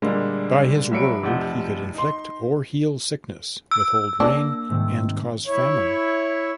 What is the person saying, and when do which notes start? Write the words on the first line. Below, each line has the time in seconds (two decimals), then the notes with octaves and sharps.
By his word he could inflict or heal sickness, withhold rain, and cause famine.
0.02 A#2 D3 G3 G#3 A#3
0.91 C2 F#3 E5 B5 C#7 D7
1.23 F1 C3 F3 D#4 F#5 G6
1.94 D#4 C6
3.71 E6
4.20 A#3 D4
4.69 G#2 C3 D#3
5.47 E4 C#5